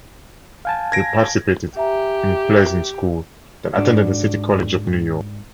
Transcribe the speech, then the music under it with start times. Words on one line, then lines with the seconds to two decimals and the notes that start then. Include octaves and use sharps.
He participated in plays in school, then attended the City College of New York.
0.65 F5 G#5 A5
0.92 G#6 A#6 D7
1.77 G4 E5 G#5 A#5
3.75 G#2 D4 F#4